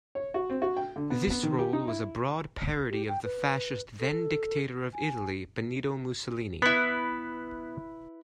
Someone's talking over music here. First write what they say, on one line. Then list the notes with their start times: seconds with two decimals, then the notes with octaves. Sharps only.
This role was a broad parody of the fascist then-dictator of Italy, Benito Mussolini.
0.15 C#5
0.34 F#4
0.50 C4
0.62 F#4
0.77 G5
0.96 D3
1.10 B3
1.30 B3
1.43 D#3
1.59 G4
1.73 D#4
1.88 E4
2.90 G4
3.08 G5
3.25 B4
4.00 A4
4.93 G#5
6.62 B3 E4 B4